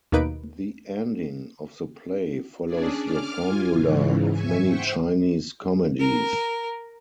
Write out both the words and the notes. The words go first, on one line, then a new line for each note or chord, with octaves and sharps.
The ending of the play follows the formula of many Chinese comedies.
D#2 B2 A#3 D#4 B4 D7
C#4 D4 G#4 D5
D6 F6
F4 G#5
G#2 C#3 E3
E5 G#5 C#6
C5 E5 F#5 G5 C#6
A#4